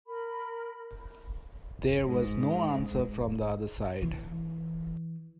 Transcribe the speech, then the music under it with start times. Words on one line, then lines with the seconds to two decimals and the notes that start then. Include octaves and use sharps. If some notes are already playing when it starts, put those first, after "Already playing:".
There was no answer from the other side.
0.07 A#4 B5
2.06 G#2
4.02 E3